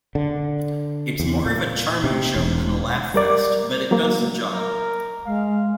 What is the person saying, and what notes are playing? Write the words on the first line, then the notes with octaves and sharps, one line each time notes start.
It's more of a charming show than a laughfest, but it does the job.
D3
E2
A#2
C3
E1
G3 A#4 D5
F#3 A#3
A#4
G#3 F5